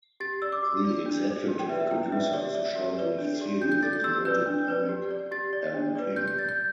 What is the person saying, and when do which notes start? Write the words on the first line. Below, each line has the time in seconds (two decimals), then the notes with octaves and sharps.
The executive producer of the short-lived series was noted comic Alan King.
0.20 G4 A6
0.42 D5 E6
0.52 D6
0.63 G4
0.85 D5
1.06 D4
1.27 A4 D5
1.48 G4
1.59 G5
1.69 B4 E5
1.72 D5
1.80 E5
1.91 E4 G5
2.12 B4 D5 E5
2.33 G4 D5
2.45 E5
2.55 D5
2.65 E5
2.76 G4
2.98 B4 D5
3.19 D4
3.40 G4 D5
3.61 D4 G6
3.72 G6
3.83 A4 D5 A6
3.93 G6
4.04 G4 E6
4.25 B4 D5 G6
4.46 D4
4.68 B4 D5
4.89 G4
5.11 D5
5.31 G4 A6
5.53 D5
5.74 D4
5.95 B4 D5
6.16 G4 G6
6.28 G6
6.38 D5 A6
6.49 G6